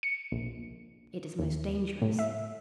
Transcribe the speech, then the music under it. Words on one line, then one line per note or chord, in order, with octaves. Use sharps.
"It is most dangerous."
C#7
A#1
D#2
A2
E5